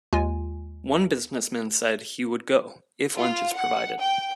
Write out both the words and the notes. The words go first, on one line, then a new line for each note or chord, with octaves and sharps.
One businessman said he would go...if lunch is provided.
D#2 G#3 F4 G#5
F4
F#5
G5